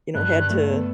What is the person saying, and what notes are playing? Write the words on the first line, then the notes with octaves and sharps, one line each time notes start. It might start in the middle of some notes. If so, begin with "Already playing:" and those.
you know, had to
G2 F#6
G2
A3
B3